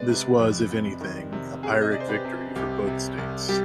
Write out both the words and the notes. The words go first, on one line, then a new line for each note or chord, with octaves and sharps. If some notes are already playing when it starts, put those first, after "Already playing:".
This was if anything a Pyrrhic victory for both states.
Already playing: G#3 B4 D5
C3
F2
F2
D#3
C3
C3 G#4
D#5
C3 D5
C5
G4 B4
C3
C2 G4
C3
C2
G3 G4